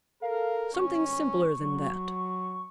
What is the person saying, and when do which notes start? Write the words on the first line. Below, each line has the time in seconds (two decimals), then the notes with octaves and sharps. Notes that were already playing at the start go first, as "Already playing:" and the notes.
Something simpler than that.
0.22 A4 A#4 F5
0.74 G#1 G2 C#4 C#6
1.59 F#3